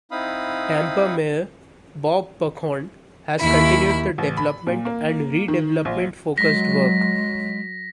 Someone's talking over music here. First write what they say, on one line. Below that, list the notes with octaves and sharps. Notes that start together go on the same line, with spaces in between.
Tampa Mayor Bob Buckhorn has continued the development and redevelopment focused work.
C4 D#4 E4 F5 B5 D#6
D#2 E4 B5
A1
B5
A#2
A#3
D#3
A#1
F#3 G#3 A#6 B6